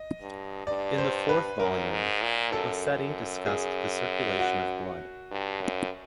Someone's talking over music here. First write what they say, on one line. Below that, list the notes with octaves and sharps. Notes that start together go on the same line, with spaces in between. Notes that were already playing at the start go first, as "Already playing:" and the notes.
In the fourth volume, Liceti discussed the circulation of blood.
Already playing: D#5
G2
G2 D5
C5
B4
F#2 A#4
G#2
A#2
F#2 A4
G#4
F#4
G2
F#2